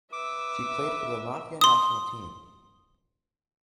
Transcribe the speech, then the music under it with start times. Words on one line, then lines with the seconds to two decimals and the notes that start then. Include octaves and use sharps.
She played for the Latvia national team.
0.13 B4 E5 D6 E6
1.61 C6 D#6